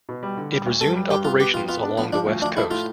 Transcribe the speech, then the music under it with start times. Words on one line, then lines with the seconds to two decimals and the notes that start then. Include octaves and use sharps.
It resumed operations along the west coast.
0.09 B2
0.23 G3
0.37 D3
0.52 G3
0.67 D2
0.81 G2 A4
0.96 G3
1.10 G2 G4
1.24 B3 F4
1.40 B3 G4
1.54 F2 F4
1.69 B3 F4
1.84 D4
1.98 F3 B3
2.12 F3 D4
2.27 D2
2.41 F3 D4
2.56 A3 E4
2.71 A2 F4